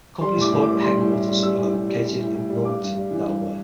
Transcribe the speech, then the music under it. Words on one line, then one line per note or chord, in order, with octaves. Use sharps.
The company's corporate headquarters are located in Wilmington, Delaware.
G3 C6
A2 D6
A2
G3 D6
G3 C6
A2
A2
G3
G3 E6
A2
A2
G3
G3
A2
A2
G3
G2 D6
G2
G3
E3
G2